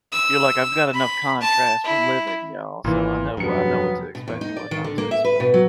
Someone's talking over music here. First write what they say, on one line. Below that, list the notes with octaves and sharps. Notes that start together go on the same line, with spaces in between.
You're like, "I've got enough contrast from living, y'all, so I know wha I know what to expect and what not to expect."
E6
B5
A5
E4
G#1 A#2 E3
F1 G2 C#3 F#3 B3 C#7
B2
E2
D#4
D5
D#3
D3
A#3
E5
B4
B2
F#3